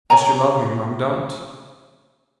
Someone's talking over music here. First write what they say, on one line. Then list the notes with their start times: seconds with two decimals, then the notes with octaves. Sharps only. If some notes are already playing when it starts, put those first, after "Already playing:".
"As you love me, mum, don't!"
0.10 C#5 G#5 A#5